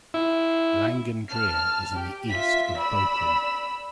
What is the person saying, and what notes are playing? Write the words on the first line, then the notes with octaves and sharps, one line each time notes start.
Langendreer is in the East of Bochum.
E4
A5 F6
G4
F4 E5 B6
D5 B5 E6